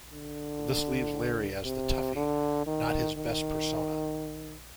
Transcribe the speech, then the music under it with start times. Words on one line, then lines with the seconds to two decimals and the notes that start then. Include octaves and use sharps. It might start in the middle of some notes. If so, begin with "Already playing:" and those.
This leaves Larry as the toughie - not his best persona.
0.13 D3
1.65 C3
2.16 D3
2.67 D#3
3.17 D#3